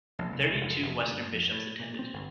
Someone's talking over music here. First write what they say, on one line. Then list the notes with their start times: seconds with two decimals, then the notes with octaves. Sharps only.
Thirty-two Western bishops attended.
0.19 A#1
0.32 C2
0.48 C2
0.61 F1
0.82 F1
1.00 D2
1.12 G2
1.32 F2
1.51 A2
1.79 A#2
1.99 C4
2.13 G1